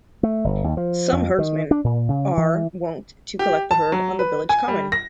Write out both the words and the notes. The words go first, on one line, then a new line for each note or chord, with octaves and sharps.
Some herdsmen are wont to collect the herd on the village common.
A3
G1
D#2
F3
F2
D#3
D4
A#2
C#3
E3
G4
A5
F#3
B4
G#5
G3
A#6